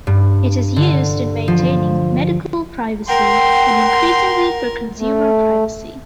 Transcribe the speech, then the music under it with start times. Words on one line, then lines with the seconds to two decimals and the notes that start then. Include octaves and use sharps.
It is used in maintaining medical privacy and increasingly for consumer privacy.
0.07 G2
0.76 D3
1.48 F3
3.08 A#4 F#5 G5 C6
4.98 A3